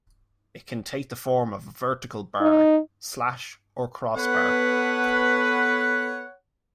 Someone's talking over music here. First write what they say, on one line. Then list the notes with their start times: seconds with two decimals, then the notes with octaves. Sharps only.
It can take the form of a vertical bar, slash, or crossbar.
2.41 D#4
4.16 B3 A4 B4 C#5 F#5